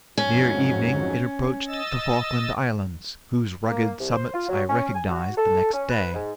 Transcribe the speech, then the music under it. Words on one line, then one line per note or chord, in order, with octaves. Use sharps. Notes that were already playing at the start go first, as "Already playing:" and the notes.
Near evening it approached the Falkland Islands, whose rugged summits I recognized the next day.
F2 G#2 F#3 C#4
D#5 E6 A6
A#3
C2
C5
F4
F#3
C#4
G#5
F#4
A4
C#4
B4
G#2